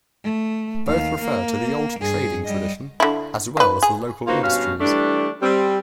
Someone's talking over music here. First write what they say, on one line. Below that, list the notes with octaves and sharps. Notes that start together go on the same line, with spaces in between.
Both refer to the old trading tradition as well as the local industries.
A3
D#2 F5
A#3
G2 G#4
G3 D#5
D3 E4
D#3 B4
G#4
A#3 D#4 F4 F#4 B4 C5
G2 B2 C#4 F#4 F5
E3 G3 A3 D4
G3 C4